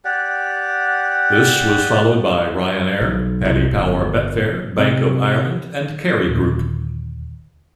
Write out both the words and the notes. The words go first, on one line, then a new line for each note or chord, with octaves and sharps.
This was followed Ryanair, Paddy Power Betfair, Bank of Ireland and Kerry Group.
G4 D5 F#5
B1
C2
G1
C3
D#2 A#2 D3 D#3